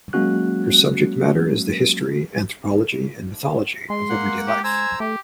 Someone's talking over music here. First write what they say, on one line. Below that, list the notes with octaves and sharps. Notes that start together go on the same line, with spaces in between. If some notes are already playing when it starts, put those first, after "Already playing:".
Her subject matter is the history, anthropology, and mythology of everyday life.
F#3 G#3 A#3 C#4 F#4 F#6
G#3 C6
A#3 F#5
G4
C5 G#5 A#5 E6
A3 G4